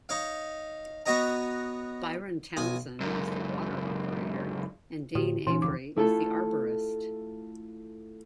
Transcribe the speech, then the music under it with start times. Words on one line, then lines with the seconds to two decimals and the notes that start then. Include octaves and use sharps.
Byron Townsend is the water operator, and Dane Avery is the arborist.
0.09 D#4 C#5 F5
1.06 B3 F#4 C#5 D#5 A#5
2.57 B1 G#5 D#6
3.01 C#2 F#2
5.15 A2 D3 F#4 G4
5.47 A#2 E3 C#4 D#4
5.62 E1 F2 C#3 D6
5.96 A3 E4 F4 A4